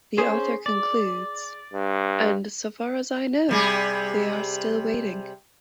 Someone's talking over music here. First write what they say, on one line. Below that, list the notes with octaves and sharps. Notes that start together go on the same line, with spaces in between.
The author concludes And so far as I know, they are still waiting.
C#4 G#4 C5
D5
G2
C3 G3 G#4